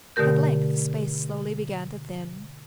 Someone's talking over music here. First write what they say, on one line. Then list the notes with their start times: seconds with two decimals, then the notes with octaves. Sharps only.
At length the space slowly began to thin.
0.16 B2 D3 A3 G4 A#4 G6